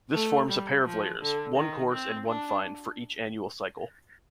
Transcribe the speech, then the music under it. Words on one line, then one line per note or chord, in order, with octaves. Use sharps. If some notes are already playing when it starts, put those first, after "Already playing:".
This forms a pair of layers-one coarse and one fine-for each annual cycle.
A3
G3
F3
D3
D#3
C4
D4